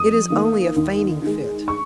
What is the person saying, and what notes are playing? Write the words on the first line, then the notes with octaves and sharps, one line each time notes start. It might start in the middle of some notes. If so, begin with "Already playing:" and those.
"It is only a fainting fit."
Already playing: F2 D#6
D#3 A#3
D#2
D#3 G#3
C#6